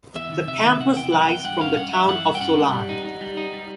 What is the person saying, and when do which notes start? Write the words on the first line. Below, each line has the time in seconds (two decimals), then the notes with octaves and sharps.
The campus lies from the town of Solan.
0.15 E2 E5
0.32 D#3
0.47 C3 E5
0.64 D#3
0.80 C3 F#5
0.96 E2 G5
1.12 F#3 F#5
1.28 E2 G5
1.44 G2 F#5
1.60 C#4 F5
1.76 G2 F#5
1.93 G2 E5
2.09 E3 F#5
2.25 G2
2.35 G5
2.41 C#4 F#5
2.57 G2
2.73 G3
2.89 D#4
3.05 D#4
3.21 G3
3.37 D#4
3.53 G3